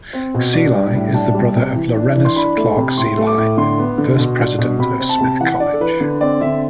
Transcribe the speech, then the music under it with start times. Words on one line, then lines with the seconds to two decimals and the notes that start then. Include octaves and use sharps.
Seelye is the brother of Laurenus Clark Seelye, first president of Smith College.
0.13 C4
0.34 B2
0.54 D4
0.75 G3
0.95 A2
1.14 D4 A5
1.34 G3
1.56 C3
1.75 E3
1.96 D4
2.16 E3
2.25 C6
2.36 D4 B5
2.57 A3
2.77 C3
2.97 A2 C6
3.17 A3
3.27 D6
3.37 A2
3.57 D3 C6
3.79 B3
3.98 D3
4.18 B2
4.39 D4
4.58 B2
4.79 C3 B5
5.00 C4
5.09 A5
5.20 C3
5.41 E3 F#5
5.60 D4 D5
5.73 A4
5.80 E3 B4
6.00 D3 B4
6.21 C4 D5
6.41 D3 E5